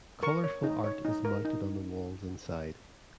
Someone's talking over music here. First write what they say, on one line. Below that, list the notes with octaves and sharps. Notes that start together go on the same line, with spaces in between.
Colourful art is mounted on the walls inside.
A#4 C#6
C#5
D#4
C#5
D#4
A#4
D#4